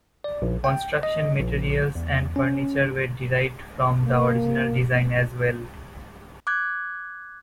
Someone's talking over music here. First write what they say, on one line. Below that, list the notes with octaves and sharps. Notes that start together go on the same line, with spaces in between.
Construction materials and furniture were derived from the original design as well.
D5
A#1
G5
D#5
A#1
E2
C#4
A#3
D6 F#6 G#6